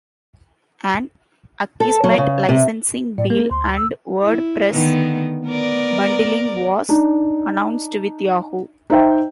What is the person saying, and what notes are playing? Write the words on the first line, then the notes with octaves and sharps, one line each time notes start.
An Akismet licensing deal and WordPress bundling was announced with Yahoo!
A4
F#3
C#3
C3
A2 D5
A#3 A#4
D2 C6
E6
E4
D3 D#3 B3
B3 A#4 D5
D4 D#4
D#4 C5 E5 G5